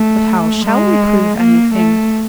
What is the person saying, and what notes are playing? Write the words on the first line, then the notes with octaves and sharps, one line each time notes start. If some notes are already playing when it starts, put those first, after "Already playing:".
"But how shall we prove anything?"
Already playing: A3
G#3
A#3
A3